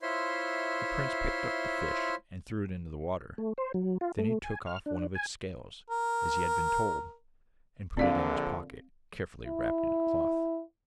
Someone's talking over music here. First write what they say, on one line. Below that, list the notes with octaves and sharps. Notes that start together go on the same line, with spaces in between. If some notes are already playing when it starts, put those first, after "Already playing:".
The prince picked up the fish and threw it into the water; then he took off one of its scales, as he had been told, and put it in his pocket, carefully wrapped in a cloth.
E4 F4 C5 C#5 E5 C6
A3
C5
F#3
F4
A3
G#5
F6
D4
G#5
A#4
A#1 D3 C4 D5 F5
E4